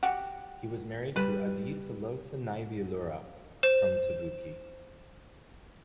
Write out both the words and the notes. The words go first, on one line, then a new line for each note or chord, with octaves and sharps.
He was married to Adi Salote Naivalurua from Tavuki.
F#4 G4
G3 B4 B5
C5 E7